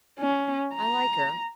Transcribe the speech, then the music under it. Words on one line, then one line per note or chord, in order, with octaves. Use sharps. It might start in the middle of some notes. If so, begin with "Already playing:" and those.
I like her.
C#4
A#5